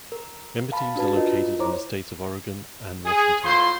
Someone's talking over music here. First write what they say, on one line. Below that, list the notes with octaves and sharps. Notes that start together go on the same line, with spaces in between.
Member teams are located in the states of Oregon and Washington.
A#4
F5 A5 B5
D4 F#4 B4 A5
F4 A#4 D#5
E4 C5 C#5 A#5 D6
G#4
A2 F4 C5 C6